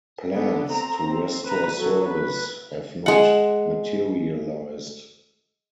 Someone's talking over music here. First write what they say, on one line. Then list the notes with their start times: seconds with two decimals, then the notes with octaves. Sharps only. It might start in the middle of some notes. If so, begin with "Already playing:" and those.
Plans to restore service have not materialized.
0.34 D3 B3
0.71 C4 A#5
1.08 C4
1.47 B4 A#5
1.78 F#3 A4
2.06 B4
3.06 G#3 F#5